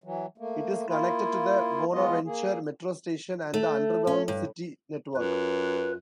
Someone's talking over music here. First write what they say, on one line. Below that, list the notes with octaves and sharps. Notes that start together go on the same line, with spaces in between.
It is connected to the Bonaventure metro station and the underground city network.
E3 F#3
A3 A#3
A#3 E4 F4
F3 G#3 B3 F4 D#5
A#3 G#4
A3
C#4
G2
F#2 F4 B4